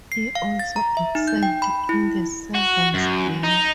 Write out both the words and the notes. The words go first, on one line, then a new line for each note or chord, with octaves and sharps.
He also excelled in the Sevens game.
C7
F5
A6
A#5
E5
D#4
G6
G5
B5
E4
F#4
F#2
D#4